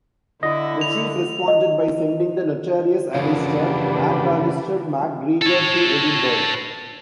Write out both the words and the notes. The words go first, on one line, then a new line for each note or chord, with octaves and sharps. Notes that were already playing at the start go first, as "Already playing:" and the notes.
The chief responded by sending the notorious Alistair MacAllister MacGregor to Edinburgh.
D3 E4 D#5
F7
D#5
C#3 E3 F3 A#3 D4 F#4 G4 B4
A4 C#5